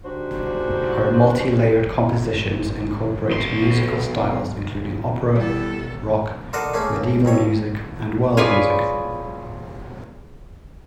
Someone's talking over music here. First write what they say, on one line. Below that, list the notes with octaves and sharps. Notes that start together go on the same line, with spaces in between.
Her multi-layered compositions incorporate musical styles including opera, rock, Medieval music, and world music.
G#2 D3 D4 F#4 G4 C5
B1 C6
B2 E3 G3 B3 A4
F4 A4 A#4 D5 D#5 F#5
A3 A#3 C#4 G#4
C#2
A1 F2 C#5
F4 G#4 B4 C#5 D5